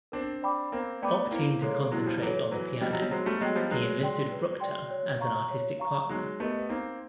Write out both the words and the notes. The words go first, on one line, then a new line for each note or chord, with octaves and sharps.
Opting to concentrate on the piano, he enlisted Fruchter as an artistic partner.
C4 D4 A#4
D5 G5 B5 D6
A#3 C4 A#4
A3 B3 D5 G5 B5 D6
A#3 C4 E4
G#3 A#3 A4 C#5
F#3 G#3 E4
F3 G3
E3 F#3 A4 C#5
E3 F#3 C5
F3 G3 D#5 G5
F#3
G3
F#3 G#3 C5
G3 A3
F#3 G#3 D#5 G5
F3 G3
F#3 G#3 B4
D5 G5 C6
B4
D5 G5 C6
C#5
F5 A#5 C#6
C#5
F5 A#5 C#6
F#3 G#3 D#4
A3 B3 G4 A#4 D#5
B3
A#3 C4 D#4